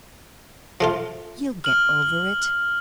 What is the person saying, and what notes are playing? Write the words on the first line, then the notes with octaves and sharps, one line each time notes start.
You'll get over it.
F3 A3 F4
F6 F#7